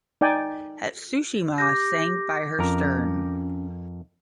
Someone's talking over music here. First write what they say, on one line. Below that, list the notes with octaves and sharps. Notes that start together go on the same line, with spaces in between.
"Hatsushima" sank by her stern.
D#4 D5 G5 G#5
G4 D6 G6 A#6
F2 C#4 A#4